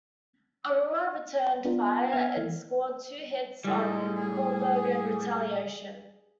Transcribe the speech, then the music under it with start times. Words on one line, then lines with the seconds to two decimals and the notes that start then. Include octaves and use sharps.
"Aurora" returned fire and scored two hits on "Kolberg" in retaliation.
1.65 B3 D4 F4 A#4
2.12 B3 E5 F6 G#6
2.37 E3
3.64 A2 G3 G#3
4.19 G#4